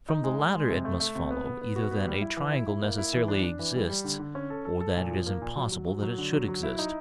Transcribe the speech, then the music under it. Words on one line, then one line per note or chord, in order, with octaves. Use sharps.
From the latter it must follow, either that a triangle necessarily exists, or that it is impossible that it should exist.
D#4
G#3
G#3
G#3
C3
A3
A3
C3
B3
B3
B3
F#4
B3
G3
E4
E3
E4
E4
A#3
E4
E3
D4
D4
E3
G3
G3
D3
D3
C#4
A4
A4
A4
A#2
F3
A#3
A#2
F#3
F#3
F#3
F#3
D3
F#3
F#3
E4
D#4